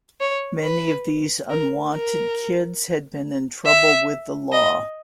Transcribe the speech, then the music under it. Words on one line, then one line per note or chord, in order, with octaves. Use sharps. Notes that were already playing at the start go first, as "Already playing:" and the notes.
Many of these unwanted kids had been in trouble with the law.
C#5
B4
A#4
A#4
E5
D#5